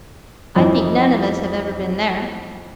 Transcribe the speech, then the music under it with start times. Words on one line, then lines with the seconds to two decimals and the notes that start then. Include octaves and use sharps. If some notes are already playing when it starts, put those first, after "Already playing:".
I think none of us have ever been there.'
0.56 F2 E3 D#4